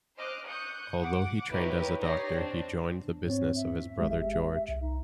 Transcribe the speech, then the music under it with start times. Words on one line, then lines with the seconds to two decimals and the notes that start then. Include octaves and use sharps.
Although he trained as a doctor he joined the business of his brother George.
0.17 C5 D#5 D6 F6 F#6
0.47 C#6 D#6 F#6 G6 C#7
0.99 F#5 D6
1.52 D#4 E4 G4 A#4 B4 C#5
2.02 D#4 G4 C#5 D5 A#6 C7
2.35 C4 D4
2.97 D4
3.26 G#2 C4 C#5
3.55 E5
3.99 G1 G#3 G4
4.69 C2
4.81 D#4